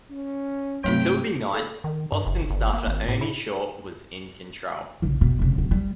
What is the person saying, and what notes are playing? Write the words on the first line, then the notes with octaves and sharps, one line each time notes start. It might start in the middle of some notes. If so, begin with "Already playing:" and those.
Until the ninth, Boston starter Ernie Shore was in control.
C#4
B1 G2 C3 F#3 A3 D#4 G5
A4
D#3
G2
F#1
G1
A#3
G#1
A2
E4
A#1 C#3
B2
F1 C#3
D1
G3